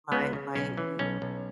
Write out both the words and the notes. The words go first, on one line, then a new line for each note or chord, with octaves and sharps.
my my we
C#2 B3
C#3
B1 C#4
E3
B1 C#4
B1